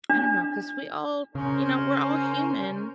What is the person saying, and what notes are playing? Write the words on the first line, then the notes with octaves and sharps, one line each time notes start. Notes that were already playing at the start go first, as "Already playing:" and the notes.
I don't know, 'cause we all you know, we're all human.
D4
C#3 C#4 A#4 C5